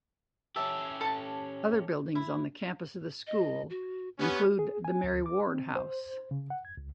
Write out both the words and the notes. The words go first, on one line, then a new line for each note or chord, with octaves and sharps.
Other buildings on the campus of the school include the Mary Ward House.
C#4 G4 E5 A5
A4 A5
E4
D#5
F#4
B3 C#4 G4
G#4
G#5
D2
D6
C4
C5
C#3
F#5
G#6
C#2